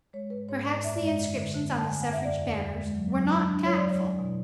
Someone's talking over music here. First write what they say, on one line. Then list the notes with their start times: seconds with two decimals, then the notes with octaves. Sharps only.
Perhaps the inscriptions on the suffrage banners were not tactful.
0.13 G#3 C#5
0.30 G#2 B4
0.49 G#2 C#5
0.66 G#2 D5
0.84 F#2 E5
0.96 G#3 D5
1.07 E5
1.19 D3
1.36 D3
1.54 D3
1.72 D3
1.78 A5
1.89 D3 G#5
2.02 F#5
2.07 F#2
2.13 E5
2.24 E2 D5
2.42 E2
2.60 E2
2.77 G#3
2.95 F#3
3.12 F#3
3.31 F#3
3.48 D4
3.65 F#3 C#5
3.76 D5
3.83 F#3
3.88 C#5
4.01 E4
4.19 B2